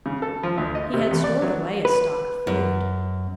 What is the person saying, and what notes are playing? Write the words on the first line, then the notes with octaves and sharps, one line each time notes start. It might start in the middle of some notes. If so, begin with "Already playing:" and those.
He had stored away a stock of food.
C#3
A4
F3
D2
D#5
C3
E2
D5
F#3
B4
F#2